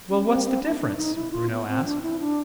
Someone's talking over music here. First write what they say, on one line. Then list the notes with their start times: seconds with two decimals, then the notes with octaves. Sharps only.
"Well, what's the difference?" Bruno asked.
0.10 C#4
0.28 C4
0.45 C4
0.62 D4
0.80 D4
0.97 D#4
1.15 E4
1.32 F4
1.50 B3
1.68 C4
1.85 D4
2.02 E4
2.20 D4